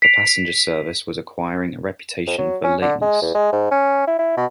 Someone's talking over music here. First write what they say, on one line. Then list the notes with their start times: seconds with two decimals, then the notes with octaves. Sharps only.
The passenger service was acquiring a reputation for lateness.
0.02 B6 C7 D7 F7
2.27 F2
2.38 F#3
2.64 C#4
2.82 D3
3.02 G#3
3.22 E2
3.35 G#3
3.53 G#2
3.71 C#4
4.07 E4
4.19 E4
4.37 B2